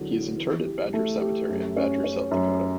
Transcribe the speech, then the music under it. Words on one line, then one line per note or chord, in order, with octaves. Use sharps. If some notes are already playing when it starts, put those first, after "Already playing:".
He is interred at Badger Cemetery in Badger, South Dakota.
Already playing: E2 D3 F#3
E2
E3
G4
A3
G4
F#2
C#4
C#4
F#2